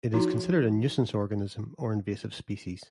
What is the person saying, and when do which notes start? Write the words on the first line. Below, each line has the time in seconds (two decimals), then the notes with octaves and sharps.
It is considered a nuisance organism or invasive species.
0.13 F3 D#4 E4 F#4 A#5